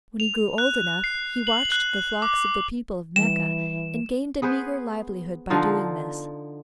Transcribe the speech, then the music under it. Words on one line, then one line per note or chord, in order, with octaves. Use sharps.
When he grew old enough, he watched the flocks of the people of Mecca, and gained a meager livelihood by doing this.
F7
F#6
C7
F#7
F#6
D6
E3 G3 E7
B3 G#4 B4 C5
D3 F3 D#4 F4